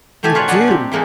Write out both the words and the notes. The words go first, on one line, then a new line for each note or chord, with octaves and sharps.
You do.
B2 D#3 A3 G4 A4 G#5
F4 B4 C#5 D5
F#3 D4 D#5 F#5 G#5
C4 G4
E3 G#3 A#3 D4 D#4